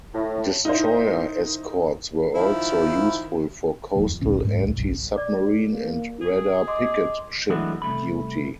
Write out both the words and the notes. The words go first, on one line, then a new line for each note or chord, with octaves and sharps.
Destroyer escorts were also useful for coastal anti-submarine and radar picket ship duty.
A2
D#4 E4 A#4 C5
D#3 F3 E4
E1 F3 F#3 A3
F2
D1 A#1 D3 C#4
G#2 G#3
D1 A#1
F#1 B1 G2
D5 D6
A#3
G#4
D#5 C6 D6
E3 F#3 G#3 A3 B3 D4
C2 F#2 A3 B5